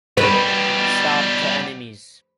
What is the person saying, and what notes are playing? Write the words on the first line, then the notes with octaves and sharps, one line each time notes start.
Stop to Enemies!
B2 G3 B4